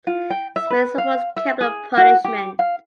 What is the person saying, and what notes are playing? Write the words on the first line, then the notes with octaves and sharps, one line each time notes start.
Smith supports capital punishment.
F4
G5
E5
B4
F5
E5
G#4
F#4
G4
F5